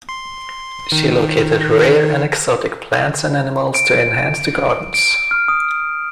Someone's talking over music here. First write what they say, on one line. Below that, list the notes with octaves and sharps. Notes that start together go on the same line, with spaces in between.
She located rare and exotic plants and animals to enhance the gardens.
C6
D#3
D7
D7
F6
D#6